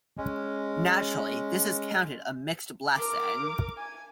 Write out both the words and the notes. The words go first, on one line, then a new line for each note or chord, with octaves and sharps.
Naturally, this is counted a mixed blessing.
G#3 C#4
A#4 D6
G#5